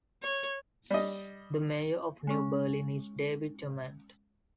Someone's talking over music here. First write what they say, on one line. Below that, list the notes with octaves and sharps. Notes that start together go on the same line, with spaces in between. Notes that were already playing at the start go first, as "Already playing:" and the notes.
The mayor of New Berlin is David Ament.
C#5
G3 D#5
G#3 C#4